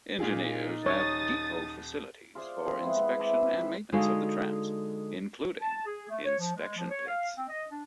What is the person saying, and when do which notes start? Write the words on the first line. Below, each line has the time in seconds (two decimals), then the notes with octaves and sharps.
Engineers have depot facilities for inspection and maintenance of the trams, including inspection pits.
0.20 A#2 D#4 F4 G#4
0.86 D#1 C#5 D#6 A6
2.35 F4 G#4 C5 D5
2.66 F3 C4 G#4
2.82 G#3 B3 E4
2.96 G#3 B3
3.19 C4 E4 A5 D6
3.58 G#3 B4
3.92 D3 G#3 D#4 F#4 A4 F5
5.61 A5
5.85 G#4
6.09 A3
6.25 C#5
6.39 F3
6.56 G#3
6.77 F3
6.89 C#5
7.07 F5
7.36 C4
7.49 D#5
7.69 D4